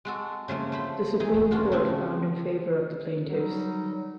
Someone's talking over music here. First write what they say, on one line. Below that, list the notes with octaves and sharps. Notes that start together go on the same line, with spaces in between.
The supreme court found in favor of the plaintiffs.
G#3 F#4 A4
C#3 F3 A3 A#3
A3 C5 B5
E3 D#4 G#4
C#4 D4 F4 F#4
C#3 C4 D4
F#3 G3 D#4